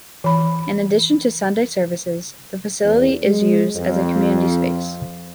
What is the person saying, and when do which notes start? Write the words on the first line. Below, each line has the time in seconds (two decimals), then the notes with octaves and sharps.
In addition to Sunday services, the facility is used as a community space.
0.24 E3 B5
2.83 E2
3.23 G#3
3.75 F2